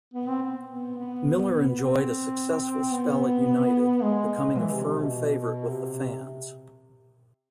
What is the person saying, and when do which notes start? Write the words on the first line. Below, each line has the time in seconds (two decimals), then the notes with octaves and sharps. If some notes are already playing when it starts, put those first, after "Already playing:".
Miller enjoyed a successful spell at United, becoming a firm favourite with the fans.
0.14 B3
0.28 C4
0.42 C4
0.70 B3
0.98 B3
1.81 C4
2.92 B3
4.02 G#3
4.59 E3
4.72 C3
4.85 C3
5.00 B2
5.69 C3